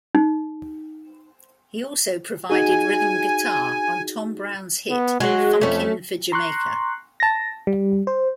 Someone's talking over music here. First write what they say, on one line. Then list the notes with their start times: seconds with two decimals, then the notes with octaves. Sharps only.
He also provided rhythm guitar on Tom Browne's hit, "Funkin' for Jamaica".
0.15 D#4
2.50 D#4 F#4 G#4 G#5
4.90 B3
5.20 F#3 G#3 F#4
5.61 F2 A3 C#4
6.32 A#5 C6 C#6 F#6
7.20 A5 A#6
7.67 G3
8.07 C5